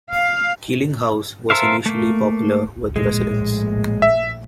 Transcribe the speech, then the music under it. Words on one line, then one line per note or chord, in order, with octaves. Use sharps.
Keeling House was initially popular with residents.
F5
A4 A#4 C5 E5 F5
A3 A#3
A#1 A2 G#3
E5